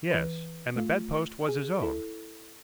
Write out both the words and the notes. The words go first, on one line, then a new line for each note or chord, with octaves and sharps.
Yes! and the bedpost was his own.
E3 B4
A3 F4
G#4
E4 A4